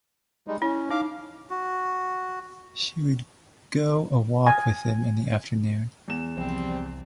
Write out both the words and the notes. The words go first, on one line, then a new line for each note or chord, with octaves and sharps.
She would go a walk with him in the afternoon.
G3 G#3 D#4
C#4 E4
D#4 F5 D6
F#4
G#5
E2 E7
C2 F3 G3 C4